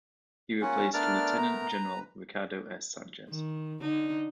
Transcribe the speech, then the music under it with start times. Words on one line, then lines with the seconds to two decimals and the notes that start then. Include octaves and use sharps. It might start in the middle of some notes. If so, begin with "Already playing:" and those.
He replaced Lieutenant General Ricardo S. Sanchez.
0.61 A#3 C#4 F4 F#5
0.94 A3 B3 D4 A#4 D5 F6
1.38 A#5
1.73 B4
3.29 D#3
3.81 D3 D4 D#4